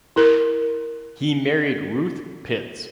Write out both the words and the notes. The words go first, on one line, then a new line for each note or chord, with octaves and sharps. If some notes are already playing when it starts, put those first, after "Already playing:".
He married Ruth Pitts.
E4 A#4